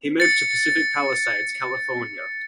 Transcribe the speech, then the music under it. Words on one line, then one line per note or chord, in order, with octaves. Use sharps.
He moved to Pacific Palisades, California.
A6 C#7